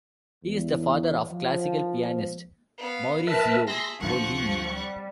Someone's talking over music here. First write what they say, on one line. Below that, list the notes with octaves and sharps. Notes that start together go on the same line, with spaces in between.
He is the father of classical pianist Maurizio Pollini.
E2
F3
B3 F5
A#4 B4 E5 A5
G#4 E5 C6 A#6
D2 F3 C4 D4 F#5 C#6
G3